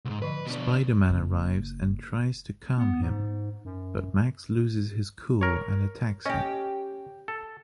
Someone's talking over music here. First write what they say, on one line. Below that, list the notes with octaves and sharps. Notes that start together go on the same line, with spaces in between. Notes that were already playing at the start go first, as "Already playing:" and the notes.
Spider Man arrives and tries to calm him, but Max loses his cool and attacks him.
C2 G#2
D3 F3 B4 D#5
B2 D4
F#1
B3
G#2
F#2
A#4 C#5
C#4 G4 D#5
A4